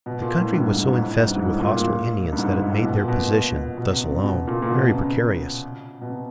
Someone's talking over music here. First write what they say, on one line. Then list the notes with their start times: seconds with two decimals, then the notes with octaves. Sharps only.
The country was so infested with hostile Indians that it made their position, thus alone, very precarious.
0.06 B2
0.22 A#2
0.37 A2
0.53 G2
0.64 G#2
0.76 G#2
0.87 G#2
0.99 A2
1.11 G#2
1.22 G2
1.34 G#2
1.45 A2
1.61 A#2
1.77 A#2
2.32 G2
2.38 G#2
2.54 G#2
2.69 A2
2.85 B2
2.96 A#2
3.08 B2
3.19 A#2
3.78 B2
3.93 C3
4.09 C#3
4.24 B2
4.47 A#2
4.62 A#2
4.70 B2
4.88 C3
4.94 C#3
6.01 B2
6.09 C3